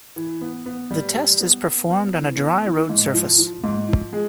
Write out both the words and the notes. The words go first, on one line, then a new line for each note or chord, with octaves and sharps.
The test is performed on a dry road surface.
E3
B3
B3
G3
G3
B3
B3
B3
E3
B3
E3
G#2
F3
F3
G#2
F3
G#3